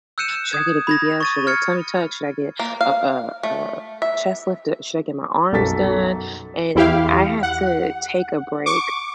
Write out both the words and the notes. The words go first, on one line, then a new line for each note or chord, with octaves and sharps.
"Should I get a BBL? Should I get a tummy tuck? Should I get a a a chest lifted? Should I get my arms done?" And I had to take a break
E6 F#6 G6 C#7 D#7 E7
D#6 G#6
B5 G#6 A#6
C#6 A6 D#7
F6 G#6 C#7
A#3
F5
A3
E5
B1 F#2 A4 A6 B6
E2 E4 G4 F5
F#5
C#6 D6